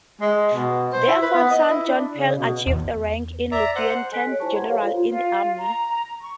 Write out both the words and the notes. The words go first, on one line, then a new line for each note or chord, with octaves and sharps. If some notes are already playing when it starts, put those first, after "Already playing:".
Their fourth son, John Peel, achieved the rank of Lieutenant-General in the Army.
G#3
B2
C5
E4
B4
B3
D#5
E4
D4
C#3
B2
E2
D5 E5 A#5
C5 F#5
A4 D#5 G#5 F#6 B6 D7
G4 C#5
E4 G4 C5 G#5 A5 C#6
B4 F#5 A#5 C6 G#6
G4 A4 B4 C#5 F5
F4 C5
F4
A#5
C#6